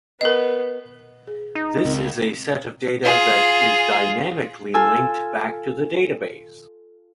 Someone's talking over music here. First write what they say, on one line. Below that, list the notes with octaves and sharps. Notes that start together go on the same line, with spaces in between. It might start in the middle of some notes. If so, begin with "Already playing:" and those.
This is a set of data that is dynamically linked back to the database.
B3 A#4 D#5
G#4
D#4
C#2 C4 A#4
F4 G#4
F4 A4 G#5 E6